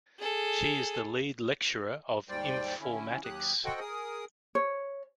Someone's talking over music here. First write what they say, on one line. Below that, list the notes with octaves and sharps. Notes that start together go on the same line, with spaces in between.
She is the lead lecturer of informatics.
G#4 A4
D#2 G#2 G3 C5 D5 G5
D3 C#4 E4
D#2 F#3 G4 D#6 F#6
F#4 A4 C5 D#5 F#5 G5
G#4 A#4 D#6
C#5